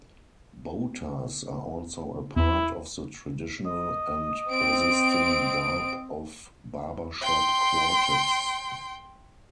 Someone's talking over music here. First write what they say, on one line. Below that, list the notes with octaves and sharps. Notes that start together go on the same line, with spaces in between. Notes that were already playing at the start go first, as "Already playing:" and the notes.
Boaters are also a part of the traditional and persisting garb of barbershop quartets.
E2 E4
D#5
C4 D7
G5 C6